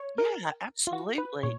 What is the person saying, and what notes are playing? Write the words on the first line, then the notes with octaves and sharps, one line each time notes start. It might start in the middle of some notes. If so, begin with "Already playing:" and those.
Yeah, absolutely.
Already playing: C#5
A#4
F4
F#4
B4
A#2 C#5